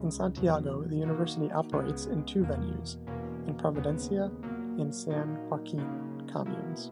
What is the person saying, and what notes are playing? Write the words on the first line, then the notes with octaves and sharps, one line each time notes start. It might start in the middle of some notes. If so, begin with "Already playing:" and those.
In Santiago, the university operates in two venues: in Providencia and San Joaquin communes.
Already playing: C#2 C#3 G#3 D#4
E2 B2 F#3
D#3 A#3 D#4 F#4
C#2 C#3 G#3 B3
E2 B2 A#3
E2 B2 A#3 C#4
D#2 C#3 G#3 B3
A#2 F#3 A#3
A#2 F#3 A#3 D#4
C#3 F#3 A#3 D#4
B2 A#3 E4